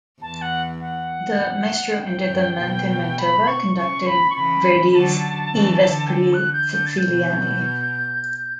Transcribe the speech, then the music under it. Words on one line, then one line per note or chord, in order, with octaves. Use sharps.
The Maestro ended the month in Mantova conducting Verdi's "I vespri Siciliani".
E2 A5
F#5
F#5
G5
F#2
B2
B5
C#6
C#3 C#6
B5
C#6
C#3 E3 B5
D3 F#3 A5
C#3 E3
D3
G5
A5
F#6
G6
D3 G6
A6
G6
B2